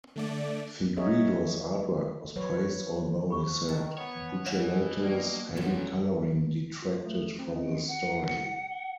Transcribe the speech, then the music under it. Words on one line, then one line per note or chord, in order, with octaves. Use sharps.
Fegredo's artwork was praised although he said Buccellato's heavy colouring detracted from the story.
D3 A3 D5
F#4 G#4 A#4 C#5 D#5 E5
F#3 B4 C#5
F3 B5 C#6
D#3 D#4 A5
B3 C#5
B2 E3 F#3 C#5 F5 G#5
A#3 B4 D5 G5
C#3 E3 F#3 A3
F4
A3
C4
D#5
F#5